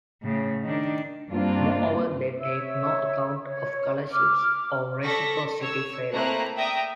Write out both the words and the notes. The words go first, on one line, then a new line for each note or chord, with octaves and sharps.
Moreover, they take no account of color shifts or reciprocity failure.
A2 C#3
D#3 D4
G2 A#3 C4 D4 F4
C#5 E5 E6
C#5
D6 F6
A4 D5 C#6 A#6 B6
C#5 E6
A3 A#3 C4 E4 A#5 F#6
D5 E5 G5 A#5 D#6 A#6